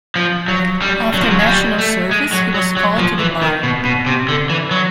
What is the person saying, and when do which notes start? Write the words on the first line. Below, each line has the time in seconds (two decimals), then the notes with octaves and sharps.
After National Service he was called to the Bar.
0.16 F3
0.48 F#3
0.82 G3
1.14 F#3
1.22 F3
1.31 F#3
1.39 G#3
1.46 G3
1.79 A3
2.11 G#3
2.33 F#3
2.54 F#3
2.77 F#3
2.98 F3
3.19 E3
3.42 D#3
3.63 B2
3.85 B2
4.06 C3
4.29 D3
4.50 E3
4.71 F#3